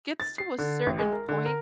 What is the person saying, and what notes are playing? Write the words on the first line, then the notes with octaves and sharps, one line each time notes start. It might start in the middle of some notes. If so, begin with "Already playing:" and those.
gets to a certain point
A6
C7
D3
A1
G#3
A#4
D3
A#4